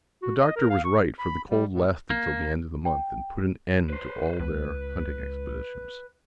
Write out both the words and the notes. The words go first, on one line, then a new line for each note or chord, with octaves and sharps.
The Doctor was right, for the cold lasted till the end of the month, and put an end to all their hunting expeditions.
F#4
D#5
A#4
F5
C#6
B5
G3
A2
A#3
G5
B4 C5
C#2 B4